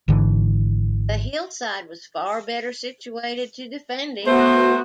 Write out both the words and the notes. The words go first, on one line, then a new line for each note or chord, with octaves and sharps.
The hillside was far better situated to defend it.
G#1 G#2 D3 E3
A3 B3 F#4 C5